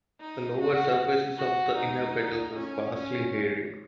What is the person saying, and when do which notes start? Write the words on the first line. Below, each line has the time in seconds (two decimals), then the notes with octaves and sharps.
The lower surfaces of the inner petals are sparsely hairy.
0.21 D#4
0.60 F#4
1.37 F#4
1.77 D#4
2.56 C#4
2.95 C#4